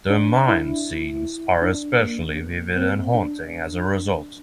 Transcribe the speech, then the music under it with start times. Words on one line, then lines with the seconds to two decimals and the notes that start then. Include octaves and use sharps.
The mine scenes are especially vivid and haunting as a result.
0.10 D4
0.48 E4
1.62 D4
1.74 D4
2.00 A#3
2.76 C4
3.14 D4